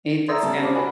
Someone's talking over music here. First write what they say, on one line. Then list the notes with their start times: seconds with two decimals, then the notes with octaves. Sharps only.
Eat the skin with
0.28 D5 E5 A#5 C6 D#6 E6
0.42 C#3 G3 A5
0.62 C5 D6
0.75 F#4 A#4 D5 G#5 B5 C#6